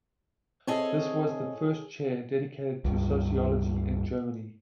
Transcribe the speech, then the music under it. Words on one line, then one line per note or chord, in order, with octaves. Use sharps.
This was the first chair dedicated to Sociology in Germany.
C4 E4 G#4 A4 C#5 D#5
C#2 G2